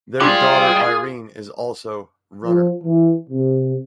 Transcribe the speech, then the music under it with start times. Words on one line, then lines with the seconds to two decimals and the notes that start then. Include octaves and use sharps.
Their daughter Irene is also runner.
0.21 F4 F#4 G#4 D5 G5 D6
2.45 F3
2.84 E3
3.30 C3